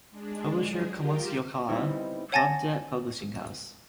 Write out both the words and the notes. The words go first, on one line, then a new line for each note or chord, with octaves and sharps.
Publisher Komsomolskaya Pravda Publishing House.
G#3 D4
F#3 G#4
F4 G4 A#4
G3 B3 C4 D#4 E4
C#5 F#5 G#5 A5 A6 A#6